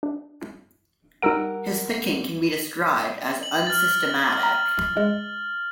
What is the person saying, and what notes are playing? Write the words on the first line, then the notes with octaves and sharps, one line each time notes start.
His thinking can be described as unsystematic.
D4
G3 D#4 A#4 F#5 E6 D7
F#7
F6 A6
A#5
G#3